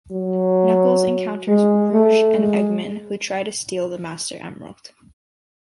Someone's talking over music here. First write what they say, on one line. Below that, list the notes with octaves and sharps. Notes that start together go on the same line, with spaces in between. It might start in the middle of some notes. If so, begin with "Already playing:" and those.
Knuckles encounters Rouge and Eggman, who try to steal the Master Emerald.
F#3
G#3
A3
G#3